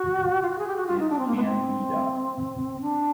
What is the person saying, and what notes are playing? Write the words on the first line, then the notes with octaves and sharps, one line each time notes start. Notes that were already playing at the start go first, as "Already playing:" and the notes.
It can be done.
Already playing: F#4
F4
F#4
G#4
G4
F#4
F4
D#4
D4
C4
A#3
B3
C4
D4